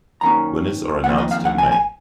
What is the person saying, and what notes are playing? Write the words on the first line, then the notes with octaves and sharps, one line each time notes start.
Winners are announced in May.
F#2 D#3 A#3 C#4 A#5
F2 D#3 A#3 C#4 F#5
D#5
F5
F#5
G#5
G#5